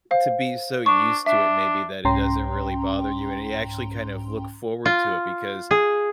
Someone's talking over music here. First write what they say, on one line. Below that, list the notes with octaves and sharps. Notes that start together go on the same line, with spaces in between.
to be so used to it maybe that it doesn't really bother you, and ya actually kind of look forward to it, because,
C5 F5
D4 C#6
D4 E5
C2 G#2 C#4 G5 A#5 C6
F4
G#4